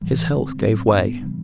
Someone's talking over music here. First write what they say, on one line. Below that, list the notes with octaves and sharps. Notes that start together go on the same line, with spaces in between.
His health gave way.
A2 E3 G3
D3 G3 C4
A2 F#3 C4
A2 G3 B3 D4
C3 E3 G3